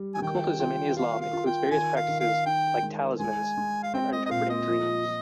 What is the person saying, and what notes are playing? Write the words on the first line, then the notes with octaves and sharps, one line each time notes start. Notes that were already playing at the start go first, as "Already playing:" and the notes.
Occultism in Islam includes various practices like talismans and interpreting dreams.
Already playing: G3
G#5
D#3 G5
F4 G5
F4 F5
F5
F4
G5
D#3 G#5
F5
D#3
F5
D#4 G5
G#3
G#3 G#5
G#3
F5
C4 G5
D#5
D#5
A#2 F5
D#5
F3
F3